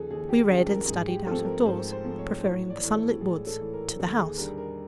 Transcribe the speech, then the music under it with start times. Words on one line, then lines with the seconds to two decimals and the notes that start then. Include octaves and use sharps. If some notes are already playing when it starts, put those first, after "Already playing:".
We read and studied out of doors, preferring the sunlit woods to the house.
Already playing: D#2 C#3 F3 G#4 A4
0.11 D#2 G#4
0.29 G4
0.49 C#3 F3 G#4
0.69 A#4
0.88 G#2 G#4
1.07 G4
1.27 F3 A3 C4 A4
1.46 A#4
1.65 G#2 C5
1.92 C5
2.05 F3 A3 C4
2.18 C#5
2.43 A2 C#5
2.70 D5
2.83 E3 A3
2.96 A4
3.21 A2 G#4
3.47 A4
3.60 E3 A3
3.73 A#4
3.99 D#2 A4
4.18 G#4
4.37 D3 G3 A#3 A#4
4.58 A#4